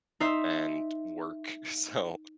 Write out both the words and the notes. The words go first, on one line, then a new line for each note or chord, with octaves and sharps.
and work, so
D#4 C5 E5